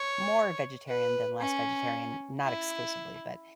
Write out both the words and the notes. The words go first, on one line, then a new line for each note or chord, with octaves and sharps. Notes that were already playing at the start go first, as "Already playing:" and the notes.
more vegetarian than less vegetarian- not exclusively- but
Already playing: C#5
B4
C#4
E4